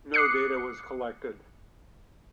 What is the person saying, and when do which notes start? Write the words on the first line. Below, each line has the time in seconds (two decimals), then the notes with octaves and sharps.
No data was collected.
0.14 D6 D#6 F#6 C7 C#7